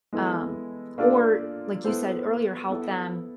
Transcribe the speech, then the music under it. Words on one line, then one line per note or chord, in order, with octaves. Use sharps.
um or, like you said earlier, help them
E3 G#3 B3 E4 A4
A#3 D4 F4 A4 D5
B3 E4 A4 C5
B3 E4 A4